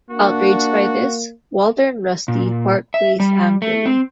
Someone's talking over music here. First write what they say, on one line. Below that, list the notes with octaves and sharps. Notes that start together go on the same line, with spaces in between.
Outraged by this, Walter and Rusty part ways angrily.
A#3 D4 F#4
A#2
E5
G3
A3
C4